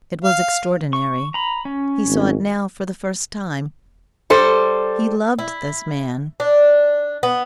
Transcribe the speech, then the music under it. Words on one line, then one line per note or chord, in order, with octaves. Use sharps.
It was extraordinary--he saw it now for the first time--he loved this man.
F5
C#6
A#5 B5
C#4
G#1
G3 A4 C5
E4
D4
B3